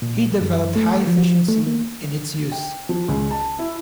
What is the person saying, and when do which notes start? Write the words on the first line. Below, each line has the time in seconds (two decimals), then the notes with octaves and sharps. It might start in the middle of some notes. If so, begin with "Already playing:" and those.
He developed high efficiency in its use.
0.02 A#2
0.41 F#2
0.76 A3
1.07 F3
1.48 A3
1.67 A#3
2.52 G5
2.89 F3
3.08 C#2
3.31 A5
3.59 E4